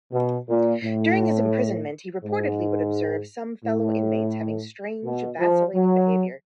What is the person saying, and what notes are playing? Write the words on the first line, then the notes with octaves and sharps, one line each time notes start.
During his imprisonment, he reportedly would observe some fellow inmates having strange, vacillating behaviour.
B2
A#2
A2
G#2
A2
B2
F3
F#3